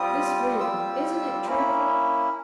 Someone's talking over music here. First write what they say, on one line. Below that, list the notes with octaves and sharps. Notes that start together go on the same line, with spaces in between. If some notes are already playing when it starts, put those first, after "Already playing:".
This wind--isn't it dreadful?
Already playing: G3 C4 F4 D#6
G3 C4 F4 E6
A#3 C#4 E4